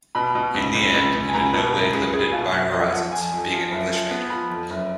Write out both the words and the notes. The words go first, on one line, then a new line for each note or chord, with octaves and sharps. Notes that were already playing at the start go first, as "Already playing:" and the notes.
In the end, it in no way limited my horizons, being an English major.
B2 B5
B2
C#2
C#2
C#2
C#2
G#5
C#2 A#5
B2 B4
C#2 A#4
C#2 G#4
C#2 G#4
B2 F4
F#1 F#4
F2 D#5
F3 F#5
F2 G#5
F2
F3
F#1
F3
B3
F3 B5
F2
F#1